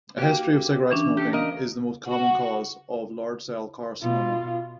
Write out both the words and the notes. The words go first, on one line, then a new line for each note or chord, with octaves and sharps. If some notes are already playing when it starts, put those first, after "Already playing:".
A history of cigarette smoking is the most common cause of large cell carcinoma.
A#3 F#4 G4 G5
E3 C#4 D4
G4 A4
A#4 D#5 F5
F#4
B2 F4